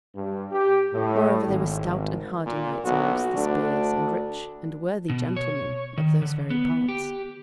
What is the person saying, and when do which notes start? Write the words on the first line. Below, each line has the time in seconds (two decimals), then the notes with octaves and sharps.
Moreover they were stout and hardy knights amongst the spears, and rich and worthy gentlemen of those very parts.
0.15 G2
0.51 G4
0.92 A2
1.46 G#1
2.45 A#2
2.84 B1 F#4
3.36 D2 D4
5.10 B2
5.37 C#5
5.98 D#3
6.22 D3
6.50 B3
6.89 G4